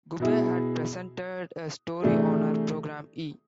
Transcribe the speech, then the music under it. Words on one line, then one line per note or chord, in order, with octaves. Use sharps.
Gubbay had presented a story on her program E!
B2 B3 E4 G#4
C3 E3 A3 D4 G#4